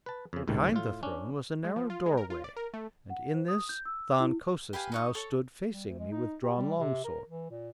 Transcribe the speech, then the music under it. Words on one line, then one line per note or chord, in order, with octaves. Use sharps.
Behind the throne was a narrow doorway and in this Than Kosis now stood facing me, with drawn long-sword.
B4 A5
F2 C#3
C#2 G#2 C3 D#3
A2 F4
C#4 D4
G#3
F3
F4
G#3
A#4
F4
D5
A#4
A3
F#5
C5
D#6
G6
E6
E4
G4 B4 F5 G#5
D#4 C#6 D#6
A4 C#5
G3
D2
G#3
D#4
G4
G3
C3
A#4
E3
A#2